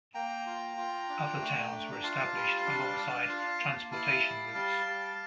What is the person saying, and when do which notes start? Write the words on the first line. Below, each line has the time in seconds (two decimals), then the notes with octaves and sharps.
Other towns were established alongside transportation routes.
0.14 A#3 G5 A#5
0.46 F4
0.77 F4
1.09 D4
1.40 A3
1.71 D4
1.92 A#5
2.03 F4 F5 A5
2.34 G3
2.66 D4
2.97 D4
3.29 F4
3.60 A#3
3.91 E4 F5 A5
4.23 G3
4.54 G3
4.86 G3